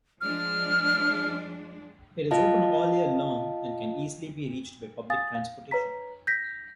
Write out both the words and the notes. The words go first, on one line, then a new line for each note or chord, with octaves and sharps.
It is open all year long and can easily be reached by public transportation.
F3 G#3 D4 F6
F4 D#5 F5 A5
F5 G#5 D#6 A6
F5
B4 C#5 A#5 B6
G6 A#6 B6